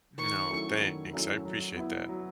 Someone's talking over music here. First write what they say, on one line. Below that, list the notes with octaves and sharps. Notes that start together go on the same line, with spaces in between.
No, thanks, I appreciate that.
D#3 C#6
F#3 A3 C#4 E4
D#3
F#3 A3 C#4 E4
F#3
B3 E4
F#3